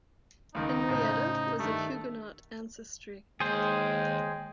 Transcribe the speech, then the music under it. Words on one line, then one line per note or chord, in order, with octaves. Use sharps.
Henrietta was of Huguenot ancestry.
C#2 D#3 D#4
A2 C#3 C5
G2 D#3 A3
D#2 G#3 G#4 C5 G5